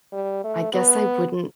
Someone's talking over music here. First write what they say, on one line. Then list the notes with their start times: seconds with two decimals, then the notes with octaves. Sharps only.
I guess I wouldn't
0.12 G3
0.44 A3
0.73 B3